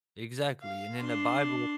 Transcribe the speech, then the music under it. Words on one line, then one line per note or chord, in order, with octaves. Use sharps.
Exactly, and in the bible
F5
D4 C6